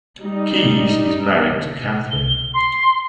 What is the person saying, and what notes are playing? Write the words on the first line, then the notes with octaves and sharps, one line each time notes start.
Keyes is married to Catherine.
G3 D#4
G7
C6